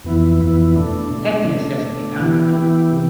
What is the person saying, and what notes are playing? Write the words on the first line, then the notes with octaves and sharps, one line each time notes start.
Happiness has to be conquered.
F2 E3 B3 E4
F2 E3 B3 E4
B2 A3 D4
B2 A3 D4
B2 A3 D4
B2 A3 D4
E3 B3 E4 G4
E3 B3 E4 G4
C3 E3